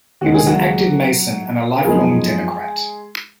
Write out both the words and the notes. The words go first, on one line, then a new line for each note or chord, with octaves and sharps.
He was an active Mason and a life long Democrat.
D#2 C#3 G#3 F#4
G#4
F#3 F#4
A#4
F#2 F3 G#3 B3 D#4 G#4